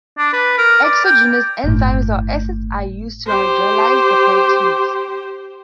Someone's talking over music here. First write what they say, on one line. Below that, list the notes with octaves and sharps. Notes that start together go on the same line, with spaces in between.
Exogenous enzymes or acids are used to hydrolyze the proteins.
D4
B4
A#4
D5
G5
G1 A2
G4 C5